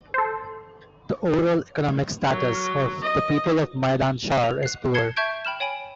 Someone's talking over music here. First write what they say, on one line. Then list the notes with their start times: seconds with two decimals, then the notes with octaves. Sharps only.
The overall economical status of the people of Maidan Shar is poor.
0.14 A4 C5
2.30 F#3
3.02 D#5
4.44 F7
4.63 F#6 C7
4.94 A5 G#6 C7 C#7 G7
5.16 E5 A5 C#6 G6 G#6 D7
5.45 G5 B5 F6 E7
5.60 C#5 G5 G#5 B5 D7